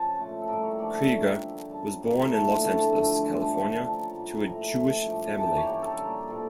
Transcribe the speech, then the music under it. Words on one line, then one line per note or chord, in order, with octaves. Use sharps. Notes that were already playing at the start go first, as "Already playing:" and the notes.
Krieger was born in Los Angeles, California to a Jewish family.
Already playing: C#3 F3 A5
A#2 A3
A4
A2 G3 A#3 A#4
C#5
D3 F3 A3 D5
E5
C#3 G3 A#3 G5
D3 F3 A#3
C#3 G3 A#3 A5
A2 F3 A#3
D3 A3 A5
D3 F3 A3 A5
D3 F3 A3
G2 E3 G3
A5
D3 F3 A3 A5
G5
G5
C#3 F3 A#3 A5
A2 G3 A#3
A2 F3 A3 A#5
A#2 F3 A3
G2 F3 A3
G2 E3 A#3 A5
G5
C#5
C#3 G3 A#3 G4
A4
A#2 G3 A#3
A2 F3 A3 A#4